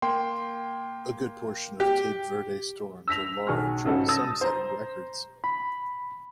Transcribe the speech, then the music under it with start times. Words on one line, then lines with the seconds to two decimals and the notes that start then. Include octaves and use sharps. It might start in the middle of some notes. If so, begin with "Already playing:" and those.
A good portion of Cape Verde storms are large, some setting records.
0.02 A#3 G5 C6
1.80 G4
3.08 E6 A#6 B6 F7
3.47 B1 G#4 C#6 F6
3.85 G#2 C#3 F#3 A4 D#5 F#5
4.08 A5 D#6 E6 A6 A#6
4.41 C5 A#5
5.44 B5